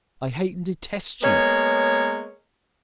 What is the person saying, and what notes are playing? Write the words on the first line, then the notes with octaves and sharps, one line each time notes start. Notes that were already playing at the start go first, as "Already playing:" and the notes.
I hate and detest you!
G#3 A#3 B3 C#5